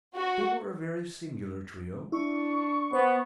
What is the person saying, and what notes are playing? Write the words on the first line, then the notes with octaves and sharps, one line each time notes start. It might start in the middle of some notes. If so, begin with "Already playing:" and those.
They were a very singular trio.
F#4
D4 E4 C#6
B3 C5